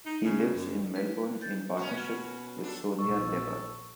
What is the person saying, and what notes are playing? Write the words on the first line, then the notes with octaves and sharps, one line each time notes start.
He lives in Melbourne in partnership with Sonia Leber.
D#4
C#3
F#2
E3 B4
G6 A6
B2 C#4 F#4
B2 D4 A4
A#1 A4 C#6